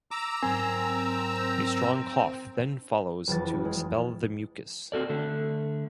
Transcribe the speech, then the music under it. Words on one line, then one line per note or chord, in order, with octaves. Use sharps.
A strong cough then follows to expel the mucus.
A#5 D6 E6
G#2 F#3 C4 A#4 G#5
F#1 F2 E3 A6
G#3
C4 F#4 A4 D5
D3 A3